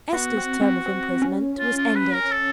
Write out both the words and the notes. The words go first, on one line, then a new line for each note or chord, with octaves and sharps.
Esther's term of imprisonment was ended.
B3 F#4
C4
C4
C4
C#4
F4
F4
B4
A#4
A4